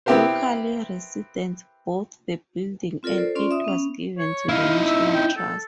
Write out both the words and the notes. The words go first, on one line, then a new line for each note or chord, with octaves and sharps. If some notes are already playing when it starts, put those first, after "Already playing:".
Local residents bought the building and it was given to the National Trust.
B3 C4 E4 G4 A#4 C5
C4 F4 A4 A#4 D5
A4 C5
C#4 F4 D5 C6
E5 D#6
B3 C#4
C#5
D#4 E4 F5
E5
G5
A4